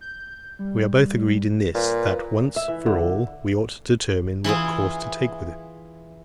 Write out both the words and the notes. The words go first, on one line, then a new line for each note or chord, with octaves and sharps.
We are both agreed in this, that, once for all, we ought to determine what course to take with him.
G6
G3
A#2 B4
E5
E3
D3
E3 E4 F4 G#4